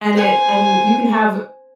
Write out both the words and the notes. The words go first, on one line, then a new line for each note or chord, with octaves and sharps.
and it and you can have
C5 G#5